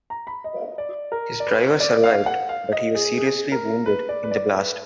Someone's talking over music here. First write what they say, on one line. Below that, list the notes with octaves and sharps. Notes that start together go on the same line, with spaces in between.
His driver survived, but he was seriously wounded in the blast.
A#5
B5
D#5
D5
A#4
D5
B4
D5
F5
F#5
F5
D#5
G#4
G#4
A#4
B4
D5
B4
D5
B4